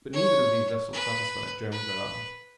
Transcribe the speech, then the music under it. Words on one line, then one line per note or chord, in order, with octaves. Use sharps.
But neither of these vessels satisfied Joam Garral.
C#5
B4
B4